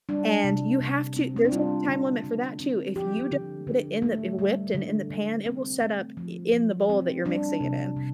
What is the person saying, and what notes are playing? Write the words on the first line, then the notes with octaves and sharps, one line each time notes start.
and you have to there's, like, a time limit for that, too. If you don't get it in the w whipped and in the pan, it will set up i in the bowl that you're mixing it in.
G3 D4
C3
C3
C4
C4
D4
G3 F4
D3
D3
C4
F3 G4
D3
D3
A3
G3
D3
D3
C4
A3
F3
F3
C4
G3 D4
C3
C3